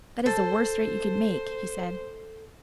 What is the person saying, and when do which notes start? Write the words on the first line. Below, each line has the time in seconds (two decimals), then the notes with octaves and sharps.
"That is the worst threat you could make," he said.
0.26 A4 C5 A5